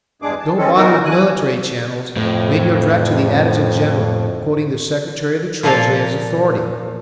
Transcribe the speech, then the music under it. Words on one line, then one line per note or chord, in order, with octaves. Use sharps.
Don't bother with military channels, radio direct to the Adjutant General, quoting the Secretary of the Treasury as authority.
E2 G2 G#3 D4 G#4 D6
A5
G#3 C4 C#4 A4
A#2 E3 B3 D#4 F#4 A#4
E2 F3 G#5 F#6
F2 A2
A#2 F3 A#3 A4 F5